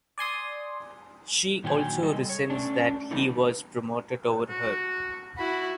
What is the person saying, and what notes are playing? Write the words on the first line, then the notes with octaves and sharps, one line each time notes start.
She also resents that he was promoted over her.
D5 G#5 C6 D#6
A#2 D#3 F#3 G4 A#4 G#5
G3 A4 D#5
C#5
A3 C#4 D4
D3 E3 G3 A3 B3 D#4
F#4
E4 F#4 B5